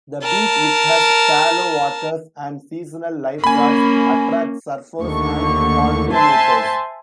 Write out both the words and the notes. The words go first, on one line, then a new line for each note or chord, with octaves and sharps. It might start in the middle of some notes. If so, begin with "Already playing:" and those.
The beach, which has shallow waters and seasonal lifeguards, attracts surfers and holidaymakers.
A#4 A5
A#3 C#4 G#5 B5
D#2 D3 A3 C#6
C5 E5 G#5 A5 C6